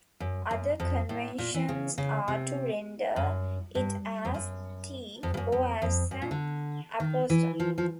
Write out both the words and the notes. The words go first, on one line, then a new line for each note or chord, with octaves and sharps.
Other conventions are to render it as "t" or as an apostrophe.
F#2
F#2
F2
A2
A#2
E3
C#3
C#3
C3
F#2
G2
F2
F#2
F2
G2
F#2
F2
F2
F#2
A#2
D3
D#3
E3
F3
F3